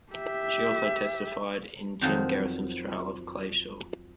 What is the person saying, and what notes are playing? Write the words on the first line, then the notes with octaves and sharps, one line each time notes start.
She also testified in Jim Garrison's trial of Clay Shaw.
G4 E5
F2 D#3 F3 F#3 D#4